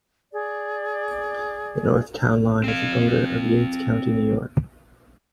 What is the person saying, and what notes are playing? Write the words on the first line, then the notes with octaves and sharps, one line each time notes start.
The north town line is the border of Yates County, New York.
G#4 D5
C4 F5